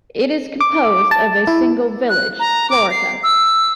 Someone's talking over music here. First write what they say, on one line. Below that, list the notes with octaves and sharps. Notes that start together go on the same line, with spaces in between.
It is composed of a single village, Florica.
D6
A5
E4
F#6
A#5
D6
C7
E6